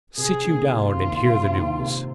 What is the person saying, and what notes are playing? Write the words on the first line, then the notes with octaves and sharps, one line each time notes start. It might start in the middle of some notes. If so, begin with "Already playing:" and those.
Sit you down and hear the news.
C3 G#4
D#3 A#3
C3 F4
D#3 A#3
C3
D#3 A#3
C3